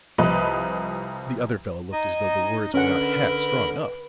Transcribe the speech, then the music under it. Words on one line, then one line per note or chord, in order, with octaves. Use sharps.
The other fellow looked as though the words were not half strong enough.
C2 F3 B4 D#5
D#4 D#5 G#5
D3 C#4 A#4 B4 F#5 B5